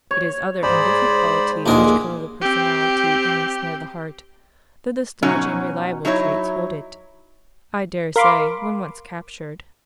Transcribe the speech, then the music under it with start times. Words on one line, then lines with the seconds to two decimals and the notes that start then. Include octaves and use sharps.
It is other and different qualities which colour the personality and ensnare the heart; though the stodgy and reliable traits hold it, I dare say, when once captured.
0.11 C#5
0.63 G#2 C5 D5 B5
1.66 A#1 D#2 D3 G#3 A#4 C6
2.41 C4 G4
5.23 F#2 B2 F#3 C#4 D#4
6.05 F#3 D#4 E4 A4 C#5
8.16 A#4 F5 B5 C6 D6